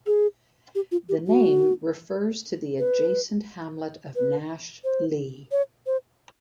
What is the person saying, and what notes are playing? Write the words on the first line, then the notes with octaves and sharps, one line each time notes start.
The name refers to the adjacent hamlet of Nash Lee.
G#4
G4
F4
G4
F#4
B4
B4
C5
C#5
C5